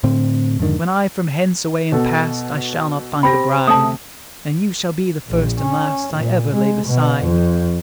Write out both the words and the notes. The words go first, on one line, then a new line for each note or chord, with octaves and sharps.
"When I from hence away am past I shall not find a bride, And you shall be the first and last I ever lay beside."
A2 D3 C4
F2 G#2 D3 D#3
B2 A4
C4 G4 B5 A#6
C3 A3 A5 D#6
A#1
C#4
A#2
G#3
B2
F2